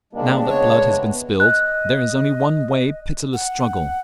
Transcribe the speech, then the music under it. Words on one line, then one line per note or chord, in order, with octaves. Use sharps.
But now that blood has been spilled there is only one way--pitiless struggle.
G#2 C#3 G3 G#3 A#3 D4
C3 B3 C#5
D#5 F#6
F#5